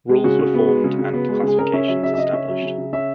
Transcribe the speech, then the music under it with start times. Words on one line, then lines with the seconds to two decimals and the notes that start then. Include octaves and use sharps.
Rules were formed and classifications established.
0.09 G#3
0.24 C#3 F#4
0.39 C#3
0.54 B3
0.69 G#3
0.84 C#3
0.99 C#3
1.14 B3
1.29 G#3
1.43 C#3 G#4
1.59 C#3 A#4
1.73 C#4 E5
1.88 F#3 E5
2.03 C#3 E5
2.14 E5
2.18 C#3 D#5
2.33 C#4 E5
2.48 F#3 E5
2.63 C#3
2.78 C#3
2.93 C#4 E5